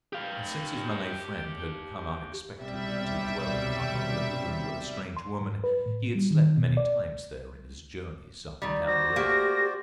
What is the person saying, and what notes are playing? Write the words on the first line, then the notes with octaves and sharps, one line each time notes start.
And since his Malay friend had come unexpectedly to dwell in the hut on the lagoon with a strange woman, he had slept many times there, in his journeys up and down the river.
G4 F5
B1 C3 G3 E5
C6
G#2
B4
A2
G3
D#3
B2
D5
D#3 G3
F#4 C5 D5 A#6
A3 A#3 G4